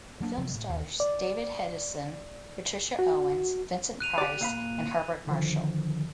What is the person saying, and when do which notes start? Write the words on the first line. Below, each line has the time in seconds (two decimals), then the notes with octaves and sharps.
The film stars David Hedison, Patricia Owens, Vincent Price and Herbert Marshall.
0.20 F#3 A#3 D4
0.37 C3 F3 F#3 B3
0.54 A2
0.69 D#2
1.00 D5
2.99 F#4
4.00 F#6 D#7 F7
4.18 G4 D5
4.41 A#2 F5 B5
5.27 D3 D#3 F3